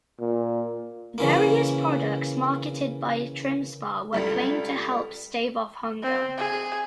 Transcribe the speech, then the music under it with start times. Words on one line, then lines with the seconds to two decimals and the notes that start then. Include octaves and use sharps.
Various products marketed by TrimSpa were claimed to help "stave off hunger".
0.20 A#2
1.18 C#3 E3 A#3
4.13 C#2 G3 A3
6.02 C4
6.37 G#4